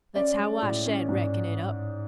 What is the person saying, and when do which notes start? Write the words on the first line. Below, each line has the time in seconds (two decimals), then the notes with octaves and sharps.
That's how I shed reckon it up.
0.15 C#4 D5
0.38 G#3
0.62 A2
0.85 C#4
1.09 G#2